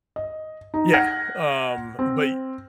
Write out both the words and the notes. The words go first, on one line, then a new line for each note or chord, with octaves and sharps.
Yeah, um, but y
D#5
D#4
F#5 F6 G#6 A#6
C4